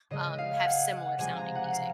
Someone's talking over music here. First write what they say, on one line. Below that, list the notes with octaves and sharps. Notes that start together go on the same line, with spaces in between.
um, have similar sounding music.
C#3 G#3 D#5
F5
G#5
F#5
F#5
C3 F3 G#3 G#5
A#5
F#5
F#5
F5